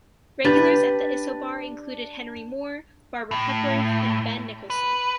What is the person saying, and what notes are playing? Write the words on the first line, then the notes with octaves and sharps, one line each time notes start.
Regulars at the Isobar included Henry Moore, Barbara Hepworth and Ben Nicholson.
D4 G4 B4 A6
A2
B4